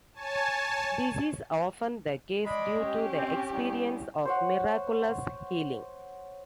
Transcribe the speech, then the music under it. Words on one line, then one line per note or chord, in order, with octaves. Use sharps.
This is often the case due to the experience of miraculous healing.
C#5 G#5 A5
G#3 D5 B5
C#4 G4
C4
C2
C5 C#5 F#5